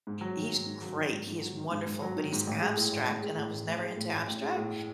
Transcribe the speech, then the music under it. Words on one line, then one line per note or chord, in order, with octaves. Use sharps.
he's great, he is wonderful, but he's abstract, and I was never into abstract.
G#2
F#3
D#3
G#2
G#2
F#3
D#3
G#2
G#2
F#3
D#3
G#2
G#2
F#3
D#3
G#2
A1
G#3
A2
A1
A1
G#3
A2
A1
A1
G#3
A2
A1
A1
G#3
A2